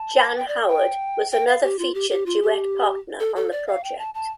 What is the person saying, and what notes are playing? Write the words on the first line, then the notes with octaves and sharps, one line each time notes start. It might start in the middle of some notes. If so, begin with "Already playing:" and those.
Jan Howard was another featured duet partner on the project.
Already playing: A5
G5
D5
G5
G5
F5
G4
F4
G4
G4
F4
G4
A4
A4
D5
F5
G5
A5
A5